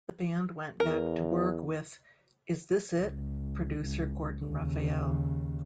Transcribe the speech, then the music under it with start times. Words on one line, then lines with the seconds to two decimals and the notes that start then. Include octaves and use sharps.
The band went back to work with "Is This It" producer Gordon Raphael.
0.80 E2 A#4
2.99 C#2
3.81 C#2
4.44 D#2 C#3